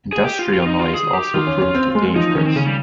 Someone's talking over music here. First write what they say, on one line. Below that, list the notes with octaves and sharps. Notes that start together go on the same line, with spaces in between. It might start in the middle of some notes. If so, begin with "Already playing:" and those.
Industrial noise also proved dangerous.
G#4
G4
F4
F4
D#4
F4
G#4
G4
D#3 F4
C#4
C#4
C4
G#3
F3 D#4
D#3 C#4
C4
C#3 C#4
G3